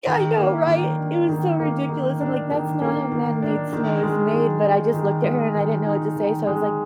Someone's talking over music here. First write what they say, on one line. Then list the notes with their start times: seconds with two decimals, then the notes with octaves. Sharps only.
Yeah. I know. Right? It was so ridiculous. I'm like, "That's not how man-made snow is made," but I just looked at her and I didn't know what to say. So I was like,
0.07 D#3
0.37 A#3
0.67 D#3
0.99 D4
1.29 D#3
1.60 A#3
1.89 D#3
2.21 D4
2.51 D#3
2.82 A#3
3.12 D#3
3.42 D4
3.73 D#3
4.03 G#3
4.34 D#3
4.64 D#4
4.94 D#3
5.24 G#3
5.55 D#3
5.86 D#4
6.16 D#3
6.47 G#3